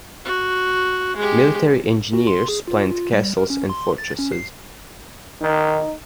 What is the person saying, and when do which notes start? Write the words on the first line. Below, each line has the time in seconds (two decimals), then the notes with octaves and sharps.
Military engineers planned castles and fortresses.
0.25 F#4
1.16 G#3 G4
2.13 F#4
2.27 C6
2.48 G#4
2.68 F4
2.90 F4
3.13 G3
3.37 A#4
3.50 C#4
3.70 C6
3.98 A6
4.19 C#4
4.32 C7
5.41 D#3 D#4